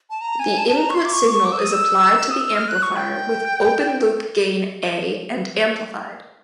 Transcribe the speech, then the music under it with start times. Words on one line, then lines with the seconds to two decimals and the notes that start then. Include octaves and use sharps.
The input signal is applied to the amplifier with open-loop gain "A" and amplified.
0.10 A5
0.21 A#5
0.39 G#5
0.58 A5
0.68 A5
0.76 A#5
0.90 C#6
0.95 C6
1.05 D6
1.13 C#6
1.27 D6
1.31 C#6
1.45 D6
1.52 E6
1.59 D#6
1.73 E6
2.31 D#6
2.41 E6
2.55 F6
2.68 F#6
2.82 C#6
2.96 G5